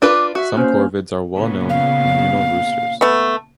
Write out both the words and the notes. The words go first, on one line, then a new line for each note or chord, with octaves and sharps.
Some corvids are well-known communal roosters.
D4 F4 B4 D6
F#4 E5
A#3 C#4 C5 F6
A#2 C#3 B3
F5
A3 B3